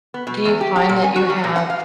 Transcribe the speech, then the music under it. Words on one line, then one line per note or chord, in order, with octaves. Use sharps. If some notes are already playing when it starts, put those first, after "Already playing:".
Do you find that you have
B3
B2
E2
G4
G4
A#2
G#5
F#4
G3
A#2
F#5
F5